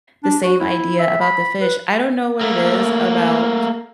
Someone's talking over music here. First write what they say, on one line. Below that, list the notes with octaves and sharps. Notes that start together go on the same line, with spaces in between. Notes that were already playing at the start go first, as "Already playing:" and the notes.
the same idea about the fish, I don't know what it is about,
D4
F#4
E4
E5
B5
B4
A3 A#3